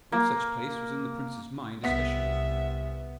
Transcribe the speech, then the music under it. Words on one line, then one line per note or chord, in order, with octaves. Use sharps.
One such place was in the prince's mind especially.
A#3
C2 B3 E5 B6